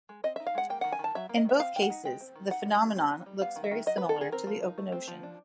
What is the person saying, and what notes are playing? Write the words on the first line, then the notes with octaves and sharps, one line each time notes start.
In both cases, the phenomenon looks very similar to the open ocean.
G#3
C4 D#5
D#4 E5
F5
G#3 F#5
A#3 G5
D#3 F#5
G#5
D#3 A5
F#3 E5
A#3
D#5
D#3 E5
C4 F5
D#3 G5
F#5
D#4
G#3 G5
C4
D#3
D#4 F#5
G3
G3
C4
D#4
G3
B3 F5
D#3
E5
D#3
F#3 D#5
B3 B4
A4
D#3 G#4
C4 A#4
F3
D#4
A3
C4
F3
D4